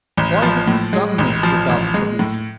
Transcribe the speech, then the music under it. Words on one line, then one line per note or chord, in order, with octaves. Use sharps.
Why have you done this without permission?
A1
F3
A2
G#3
A1
F3
A1
G#3
A2